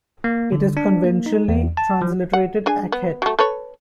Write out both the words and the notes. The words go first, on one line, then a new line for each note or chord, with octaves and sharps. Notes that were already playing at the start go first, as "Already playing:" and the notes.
It is conventionally transliterated Akhet.
A#3
D3
D4
A#3
D#4
E2
A5
F3
F#5
D4 G#4 G#5
B3
F#3 A3
A4 B4 C#5